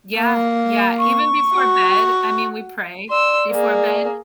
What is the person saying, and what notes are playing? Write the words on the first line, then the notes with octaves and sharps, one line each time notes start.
Yeah, yeah, even before bed, I mean, we pray before bed
A#3
C#6
F#4
D5 C6 E6
A#3 G#4